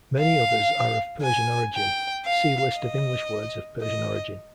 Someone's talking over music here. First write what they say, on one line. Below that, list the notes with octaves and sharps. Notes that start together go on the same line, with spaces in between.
Many others are of Persian origin; see List of English words of Persian origin.
F5
G#5
G5
F5
D#5
D#5